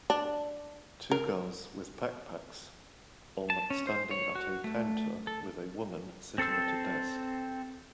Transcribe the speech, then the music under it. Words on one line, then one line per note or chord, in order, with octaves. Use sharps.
Two girls with backpacks on standing at a counter with a woman sitting at a desk.
D4
A#4
A5
C#4
C5
C#5
F#4
A3
A4
C4 A4 C5 E6